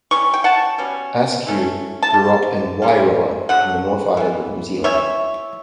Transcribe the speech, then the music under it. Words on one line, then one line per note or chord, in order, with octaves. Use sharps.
Askew grew up in Wairoa in the North Island of New Zealand.
E3 G3 C#4 C#6
G5
F#5 A5
B2 G3 C#4
E3 A3 C#4
A5
B2 G3
E3 G3 C#4
D3 F#3 F#5
E3 B3
E3 G3 C#5 E5